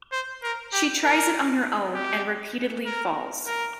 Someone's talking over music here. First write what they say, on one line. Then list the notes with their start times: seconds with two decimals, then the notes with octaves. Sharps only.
She tries it on her own and repeatedly falls.
0.12 C5
0.43 A#4
0.73 G4
1.03 A#4
1.95 G4
2.86 A#4
3.47 A#4